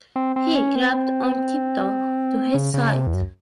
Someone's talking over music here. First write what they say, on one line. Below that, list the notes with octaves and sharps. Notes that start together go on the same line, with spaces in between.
He crept on tiptoe to his side.
C4
C4
C#4
C4
C#3
C#3
C3
E2
F#2